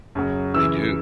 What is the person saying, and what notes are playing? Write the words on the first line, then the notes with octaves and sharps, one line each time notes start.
They do.
F#2 C#3 F#3
F#2 C#3 E3 E6